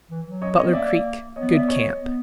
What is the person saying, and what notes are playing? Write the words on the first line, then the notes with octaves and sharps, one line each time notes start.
Butler Creek.--Good camp.
E3
F#3
C#5 D#5
C4 C#5 D#5
B3
A#3 D5 E5
B3 C#5 D#5
D5 E5
C#5 D#5
B3